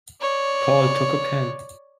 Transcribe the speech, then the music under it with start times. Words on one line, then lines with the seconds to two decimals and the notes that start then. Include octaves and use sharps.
Paul took a pen.
0.21 C#5 D5